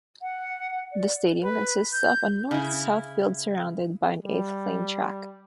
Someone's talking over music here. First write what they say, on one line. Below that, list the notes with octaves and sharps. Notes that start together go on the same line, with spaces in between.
The stadium consists of a north-south field surrounded by an eight-lane track.
F#5
D5
B4
G6
C#3 E4
G3